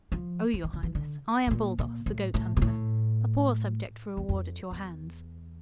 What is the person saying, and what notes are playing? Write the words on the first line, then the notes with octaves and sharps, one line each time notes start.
Oh, your highness, I am Baldos, the goat-hunter, a poor subject for reward at your hands.
F3
F3
E3
D3
E3
D3
C3
A#2
A#2
A2
A2
A#2
A2
E2
F2
E2